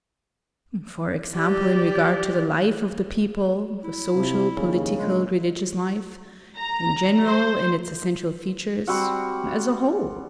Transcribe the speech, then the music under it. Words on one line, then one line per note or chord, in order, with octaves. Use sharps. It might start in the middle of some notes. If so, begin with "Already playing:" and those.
"For example, in regard to the life of the people--the social, political, religious life--in general, in its essential features--as a whole."
G4 D5
E4
C3 F3
D#2 C#3
A#1 G#3
A#5
C5
G3 C4 F#4 F#5